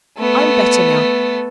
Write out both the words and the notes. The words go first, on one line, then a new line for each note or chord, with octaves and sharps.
I am better now.
A3 B3